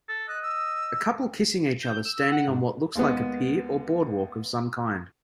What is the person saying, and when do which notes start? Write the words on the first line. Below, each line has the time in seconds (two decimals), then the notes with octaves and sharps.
A couple kissing each other standing on what looks like a peer or boardwalk of some kind.
0.09 A4
0.28 D#5 F#6
0.43 E6
1.83 G6
2.05 E6
2.32 F#5
2.48 G#2
2.95 D#2 G#3 B3